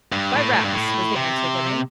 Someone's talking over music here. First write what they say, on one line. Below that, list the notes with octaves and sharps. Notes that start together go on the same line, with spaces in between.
"By raps," was the answer given.
G2
A2
A2
G2
A2
C3